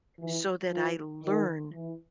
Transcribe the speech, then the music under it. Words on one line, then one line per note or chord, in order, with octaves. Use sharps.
so that I learn
E3
F3
D#3
E3